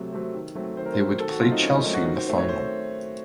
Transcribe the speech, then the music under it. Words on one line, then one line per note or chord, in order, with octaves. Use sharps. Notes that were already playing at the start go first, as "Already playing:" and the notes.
They would play Chelsea in the final.
Already playing: C3 F#3 A3 C4
F#3 A3 C4
D#3
F#3 A3 C4
D#3 C5
A#4
C5
F#3 A3 C4
D#3 A4
F#4
F#3 A3 C4 F4
D#4
D#3 C#4
C#4
F#3 A3 C4 D#4
F#4
D#3 F#4
C5
A3 C4 C5
C#5
D#3 C5